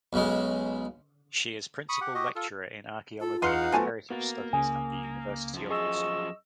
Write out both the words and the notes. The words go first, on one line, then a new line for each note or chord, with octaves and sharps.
She is principal lecturer in archaeology and heritage studies at the University of Worcester.
B1 C#3 G#3
B5 C#6 D#6
G4 F#5
F#4 G4 D#5
F4 A4
F4 A4
E2 D#4 B4 F5 F#5 C6 F6 C#7
F#3 A3 B3 C4 G#5 A5
A#3 B3 F#4 A6
C#2 C#3 G#5 D#6
F#2 F3
G#4 D#5 C#6 E6